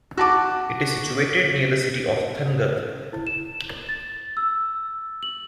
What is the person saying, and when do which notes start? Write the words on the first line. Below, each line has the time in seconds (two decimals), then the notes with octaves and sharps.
It is situated near the city of Thangadh.
0.17 F#4 A5 D6
3.13 E4
3.27 E7
3.89 A6
4.37 E6
5.23 F#7